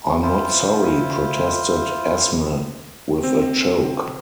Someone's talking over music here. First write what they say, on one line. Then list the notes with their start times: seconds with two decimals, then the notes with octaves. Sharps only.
"I'm not sorry," protested Esme, with a choke.
0.23 E4 F4 C5
3.23 C4